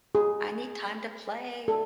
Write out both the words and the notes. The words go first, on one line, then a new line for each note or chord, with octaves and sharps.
I need time to play."
G#4
A4